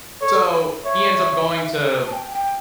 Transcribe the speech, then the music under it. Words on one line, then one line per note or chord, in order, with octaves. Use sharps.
So, he ends up going to
A4 C#5
C#5
C#5 E5
A5
G5
G5